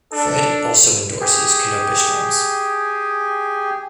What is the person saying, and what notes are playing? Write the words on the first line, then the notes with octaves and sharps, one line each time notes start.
Fred also endorses Canopus drums.
D4 A4
G4 G#4